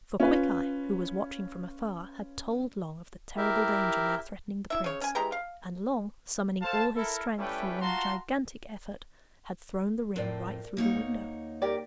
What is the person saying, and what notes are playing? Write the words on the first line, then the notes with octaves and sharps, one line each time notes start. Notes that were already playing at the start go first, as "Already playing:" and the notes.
For Quickeye, who was watching from afar, had told Long of the terrible danger now threatening the prince, and Long, summoning all his strength for one gigantic effort, had thrown the ring right through the window.
C#4 F4 B4
E4 G4 A#4 E5
E4 E5
C#3 C#5
C#4 G#5
E3 G#3 G4 A#5
F5
A4 C5 F5 A5
E4 A4 A#4
G3 A3 C#4 E4 B4 G5
F4 F#4 A5 A#5 C6
F2 A2 C4 A#4 C5 D5
D2 A#3 D#4 C#5
G4 A#4 D5